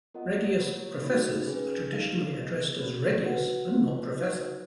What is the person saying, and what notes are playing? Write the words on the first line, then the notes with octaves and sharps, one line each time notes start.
Regius professors are traditionally addressed as "Regius" and not "Professor".
B3 F4 A#4 D#5 F#5
A#3 F4 A#4 C#5
A#3 D#4 F#4
C#4 G#4 B4
D#4 A#4 F5
B3 F4 G#4 D#5
A#3 C#4 F#4 A#4
F#4 B4 F#5
B3 F4 B4
D#4 F#4 B4 D#5